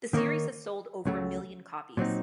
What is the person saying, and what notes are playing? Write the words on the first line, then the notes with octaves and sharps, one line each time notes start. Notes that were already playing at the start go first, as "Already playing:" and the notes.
The series has sold over a million copies.
D#3 A#3 D#4 A#4 C#5
C#2 C#3 F#3 A3
A#2 F#3 C4 D#4